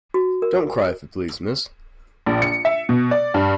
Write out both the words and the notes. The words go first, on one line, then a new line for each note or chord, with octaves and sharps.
Don't cry, if you please, miss!
F#4
A#4
A#1
C#7
E5
B2
D5
G2